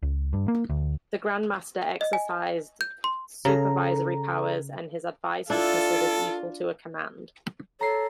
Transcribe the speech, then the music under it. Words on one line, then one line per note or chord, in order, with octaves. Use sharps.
The grandmaster exercised supervisory powers and his advice was considered equal to a command.
C#2
G2
A#3
D2
D#5
G#5
G6
C6
C#3 A4 A#5
D4 E4 F4 A4
A4 C#5 A#5 C7